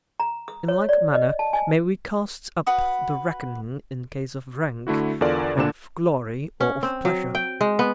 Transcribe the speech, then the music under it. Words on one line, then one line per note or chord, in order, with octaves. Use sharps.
In like manner may we cast up the reckoning in case of rank, of glory, or of pleasure.
A#5
D#6
C#5
D5
D#5
A5
G#5
F#4 B4 F#5 D#6
D3 A3 E4 F#4
E2 D3 F4 A4 A#4 D5
D2 A#2 D3 D4 E7
C#4
C4
F#3
G5
G#3
B3